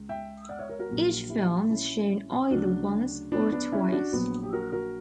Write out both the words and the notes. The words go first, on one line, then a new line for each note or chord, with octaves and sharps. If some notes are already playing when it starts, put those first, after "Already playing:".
Each film is shown either once or twice.
Already playing: C#2
E5 G5
D5 F#5
C#5 E5
A#4 C#5
F#4 A#4
A#1 A#2 F#3
E4 G4
C#4 E4
D2 C#3 F#3 D4 F#4
B3 D4
B3 D4
C#4 E4
D4 F#4
A#1 A#2 F#3 B3
G4
F#4 A#4
F#4 A#4